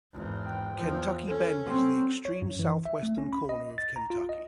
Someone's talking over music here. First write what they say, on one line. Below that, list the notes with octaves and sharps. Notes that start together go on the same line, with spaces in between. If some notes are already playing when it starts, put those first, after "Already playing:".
Kentucky Bend is the extreme southwestern corner of Kentucky.
G#1 E2
G5
E2 F3
C#4 A4
F#3 C4
C#5
F#2
E3
E5
A3
C#4
B5
D#5
A6
A#5
F4
D#5